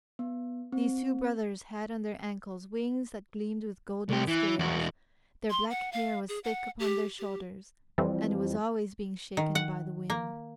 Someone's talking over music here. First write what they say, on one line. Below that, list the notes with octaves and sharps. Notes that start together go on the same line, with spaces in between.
These two brothers had on their ankles wings that gleamed with golden scales; their black hair was thick upon their shoulders, and it was always being shaken by the wind.
B3
C4
C2 G4
E3
E2 F#4
C6
F#5
F5
G#4
F#5
G4
G4
F2 E3 G3 C4
D#3
F#5
A#3